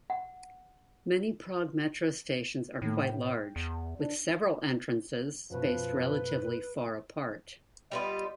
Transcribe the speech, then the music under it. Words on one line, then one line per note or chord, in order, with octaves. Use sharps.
Many Prague Metro stations are quite large, with several entrances spaced relatively far apart.
F#5
A2 D#3 A3
G5
E2
D4
F#2 B2 F3 B4
G3 B3 F4 D#5